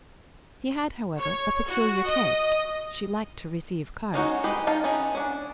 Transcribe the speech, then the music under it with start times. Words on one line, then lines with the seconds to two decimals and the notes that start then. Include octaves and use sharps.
She had, however, a peculiar taste; she liked to receive cards.
1.18 C#5
1.65 F#4
2.06 D#5
4.14 G#3 C#4 D#4 F#4
4.44 G#3 G4 B4 D#5
4.67 D#4 F5 G5 A5
4.84 B3 C#4 D#4 G#4
5.15 C#4 D4